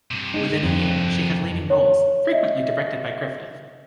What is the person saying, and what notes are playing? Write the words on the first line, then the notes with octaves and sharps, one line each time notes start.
Within a year, she had leading roles, frequently directed by Griffith.
G2 C3
G#3 D#4
F2
C#5
D#5 E5